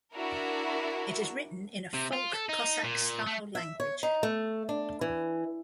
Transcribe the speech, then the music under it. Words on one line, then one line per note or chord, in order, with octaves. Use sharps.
It is written in a folk Cossack-style language.
D4 E4 F#4 A#4
C3
F4
A4
D#4
A#2
A3
E5
C#5
D#4
A3
D4
E3